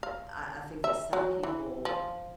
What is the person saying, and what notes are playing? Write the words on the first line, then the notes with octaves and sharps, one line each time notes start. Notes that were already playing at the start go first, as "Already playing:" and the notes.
I I think that some people
F5
E5
F#3
E3
F3